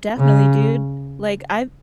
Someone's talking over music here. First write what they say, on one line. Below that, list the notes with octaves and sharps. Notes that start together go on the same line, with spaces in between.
Definitely, dude. Like I've
C#3